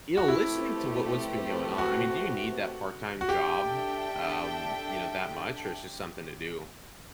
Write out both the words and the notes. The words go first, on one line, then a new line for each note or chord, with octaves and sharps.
you know, listening to what what's been going on I mean, do you need that part-time job, um, you know, that much, or it's just something to do?
F#4
A3 C4 E4 G4 B4
F#4
F#4
D4 G4 A4 E5 G5